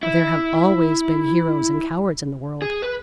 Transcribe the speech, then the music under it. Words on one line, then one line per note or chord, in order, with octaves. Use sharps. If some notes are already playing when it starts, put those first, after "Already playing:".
For there have always been heroes and cowards in the world.
E4
G#4
B4